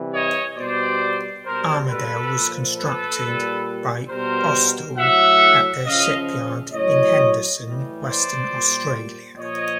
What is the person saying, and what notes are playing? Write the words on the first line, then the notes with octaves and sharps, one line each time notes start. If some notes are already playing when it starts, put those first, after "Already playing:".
"Armidale" was constructed by Austal at their shipyard in Henderson, Western Australia.
Already playing: C3 E3 G3
C#5 D#5
B2 G3 C5 D5
B2 G3 A#4 C5
A4 B4
A#2 F3
A4 B4
A#2 G3
B2 G3 A#4 C5
A2 F#3 E5 F#5
C#3 F3 D#5 F5
A2 F#3 C#5 D#5
A2 E3 G3
C5 D5
A#2 G3
A#2 F3 C#5 D#5